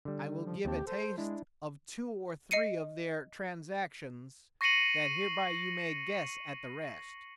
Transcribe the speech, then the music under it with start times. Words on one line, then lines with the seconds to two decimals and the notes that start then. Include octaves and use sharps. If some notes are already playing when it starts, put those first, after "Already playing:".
I will give a taste of two or three of their Transactions, that hereby you may guess at the rest.
0.05 D3 G3
0.46 F3
0.65 D#2 C4 G4 A5
0.87 A4 C5
1.18 G#3 D4 E4
2.51 D#5 C7 C#7 D#7
4.61 C#6 A#6 C7 C#7 D#7 F#7